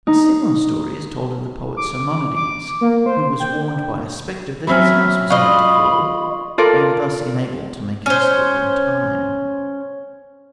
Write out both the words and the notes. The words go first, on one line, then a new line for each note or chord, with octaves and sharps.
A similar story is told of the poet Simonides, who was warned by a spectre that his house was going to fall, and thus enabled to make his escape in time.
D#4
D6
D6
A#3
C5
G5
F#3 C4 C#4 E5 B5 E6 F6
F4 D#5 B5 C#6
F4 A4 A#4 D5
C#4 C5